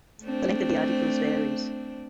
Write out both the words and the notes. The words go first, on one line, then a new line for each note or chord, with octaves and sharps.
The length of the articles varies.
A3 C4 D4